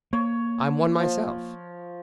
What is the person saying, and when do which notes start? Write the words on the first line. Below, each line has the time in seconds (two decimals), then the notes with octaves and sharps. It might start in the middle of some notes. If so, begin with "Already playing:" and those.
"I'm one myself."
0.13 A#3 C#5
1.00 F3